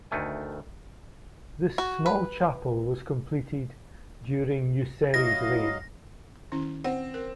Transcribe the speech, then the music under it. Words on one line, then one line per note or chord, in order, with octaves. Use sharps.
This small chapel was completed during Nyuserre's reign.
D2 D#3 A3 G#5
F#4
B4
F#3 E4 D#5 F5 A#6
D#3 C#4 E4
C4 F#5
A#4